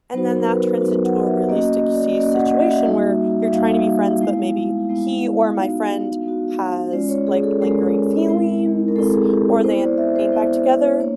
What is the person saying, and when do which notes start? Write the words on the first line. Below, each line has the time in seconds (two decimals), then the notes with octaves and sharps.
and then that turns into a really sticky situation, where you're trying to be friends, but maybe he or my friend has, like, lingering feelings or they end up getting back together.
0.14 F#3 B3 D#4 F#4 C5
0.31 A#4
0.43 A#4
0.47 B4
0.82 F#3 B3 D#4 F#4
1.04 F#5
1.26 E5
1.49 A#3 C#4 F#4 D#5
1.73 D#5
1.94 D5
2.09 D5
2.17 A#3 C#4 F#4 D#5
2.34 F#5
2.51 D#5
2.69 E5
2.85 G3 A#3 D#4 F#4
3.43 E5
3.52 G3 A#3 D#4 F#4 F5
4.21 G#3 B3 E4
4.89 G#3 B3 E4
5.57 B3 D#4 F#4 F5
6.24 B3 D#4 F#4
6.93 G#3 C#4 F4 D5
7.09 C#5
7.27 G#4
7.43 A4
7.60 G#3 C#4 F4 A#4
8.28 G#3 C4 E4
8.88 A#4
8.96 G#3 C4 E4 A4
9.13 G#4
9.30 G4
9.64 B3 E4 C5
9.81 D5
9.98 E5
10.16 C5
10.32 B3 E4
11.00 A#3 D4 C#5